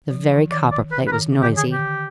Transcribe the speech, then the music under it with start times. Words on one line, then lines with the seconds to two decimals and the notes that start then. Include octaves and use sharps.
The very copperplate was noisy.
0.11 F3
0.31 E3
0.51 D#3 D5
0.72 D5
0.92 B4
1.07 B4
1.12 D#3 A#4
1.33 D3
1.42 G4
1.52 D#3 G#4
1.72 D3 G4